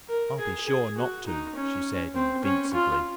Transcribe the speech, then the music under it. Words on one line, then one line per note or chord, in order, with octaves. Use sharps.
"I'll be sure not to!" she said invincibly.
A#4
G#4
G#4
F#4
D#4
C#4
C4
C#4
F4